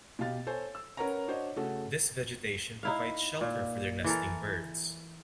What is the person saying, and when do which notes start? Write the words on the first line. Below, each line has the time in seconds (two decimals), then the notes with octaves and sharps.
This vegetation provides shelter for the nesting birds.
0.19 B2 G4 F5 A6
0.47 A4 C5 C#5 G#5
0.75 E6
0.97 C#4 A#4 B4 C#5 F#5 A#5
1.28 D4 F#4 C5 C#5 D#5
1.56 C#3 A3 C#4 F#4 A4
2.83 D#4 E4 F5
3.41 A#2
4.04 E3 A4 A#4